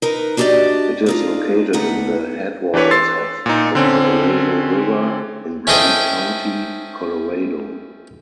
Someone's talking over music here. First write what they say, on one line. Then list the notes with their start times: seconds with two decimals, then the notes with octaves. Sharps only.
It is located in the headwaters of the Colorado River in Grand County, Colorado.
0.02 D#4 A#4 B4
0.37 D4 F#4 G4 C5 D5 D#5
1.06 D4 D#4 F4
1.73 D2 A3 D#4 B4 F#5
2.74 E3 D4 G4 B4 C#5
2.91 C6 E6 A6 C7
3.46 A#2 D#4
3.75 D3 C4 C#4
5.67 C#4 E4 A4 C5 D#5 G5